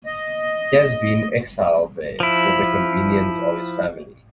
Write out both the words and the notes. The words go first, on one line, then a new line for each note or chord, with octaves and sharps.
He has been exiled there for the convenience of his family.
D#5
F3 E4